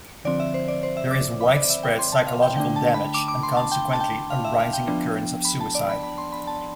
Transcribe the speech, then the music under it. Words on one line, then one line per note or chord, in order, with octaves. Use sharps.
There is widespread psychological damage and consequently a rising occurrence of suicide.
D3 F3 C4 D5
E5
C5
D5
C5
E5
D6
B5
D5
E5
G5
C6
A5
F5
G5
D3 A3 D4 G5
A5
B5
D6
D6
C6
A5
G5
A5
G5
F5
E5
F5
G5
F3 B3 D4
B5
A5
D5
B5
B5
C6
B5
A5